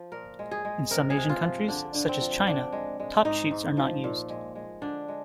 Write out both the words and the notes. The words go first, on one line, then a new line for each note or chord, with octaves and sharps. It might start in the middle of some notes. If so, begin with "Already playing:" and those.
In some Asian countries, such as China, top sheets are not used.
Already playing: F3
A#2 A#4
G#3
G#4
G#3
C3 A#4
G#4
C3
F4
F3
D3 D4
D3
C4
F3
D3 D4
G#3
G#3
G#2 D#4
G#2
F3
A#2
G#3
G#3
D3 D4
G#3